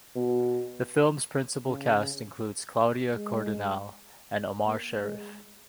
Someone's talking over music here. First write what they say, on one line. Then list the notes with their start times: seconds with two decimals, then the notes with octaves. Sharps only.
The film's principal cast includes Claudia Cardinale and Omar Sharif.
0.15 B2
1.65 C#3
3.15 G#3
4.65 A#3
5.03 G#3